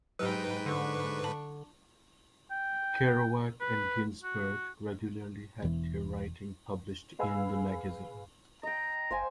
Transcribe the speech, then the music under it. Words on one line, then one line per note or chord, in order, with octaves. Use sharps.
Kerouac and Ginsberg regularly had their writing published in the magazine.
G#2 F#3 D#4 G4 B4 G5
D3 D4 C#6
A5
G5
B4
F#4
E1 E2 E3
G#4 B4 F5 G#5 B5 E6
D#5 G5 A#5
F#1 C5 F5 G#5